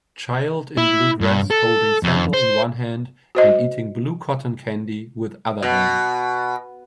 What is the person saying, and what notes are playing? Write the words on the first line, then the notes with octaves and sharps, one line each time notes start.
Child in blue dress holding sandal in one hand and eating blue cotton candy with other hand.
E4
G2
A4
F2
C5
F#4 C5 D#5
B2